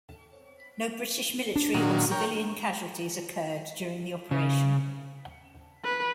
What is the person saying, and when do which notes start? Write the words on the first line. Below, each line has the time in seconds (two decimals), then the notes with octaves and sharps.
No British military or civilian casualties occurred during the operation.
1.56 D4
1.74 A#2 D#3 F#3
2.11 A#4 C#5 G5
4.31 C#3
5.84 B4